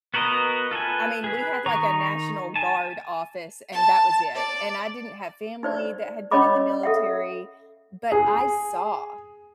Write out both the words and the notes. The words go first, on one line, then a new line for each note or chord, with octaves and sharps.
I mean, we had, like, a national guard office and that was it, and I didn't have family that had been in the military, but I saw
B3 F#4 A#4 B4 D#5
F4 A4 B4 G#5
G#4 B4
D#3 D#4 A#5 C#6
G#5 A5
A5
D5
D#4 C5 D5
C#4 C#5 D#5 B5 D6
A4 E5 F#5
G#4